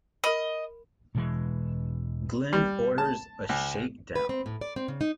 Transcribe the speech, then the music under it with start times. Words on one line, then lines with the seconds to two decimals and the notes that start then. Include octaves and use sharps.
Glynn orders a shakedown.
0.24 A#4 D#5 B5
1.15 E1 B2 E3 G#3
2.53 G3
2.98 A5
3.49 C#2
4.15 B4
4.29 C4
4.46 A2
4.61 D5
4.76 C4
4.88 C#3
5.01 D#4